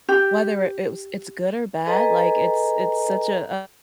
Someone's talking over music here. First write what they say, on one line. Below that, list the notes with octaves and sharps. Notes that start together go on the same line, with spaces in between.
whether it it was it's good or bad, like, it's it's such a
G4
G#4 A4 B4 D#5 G#5 A#5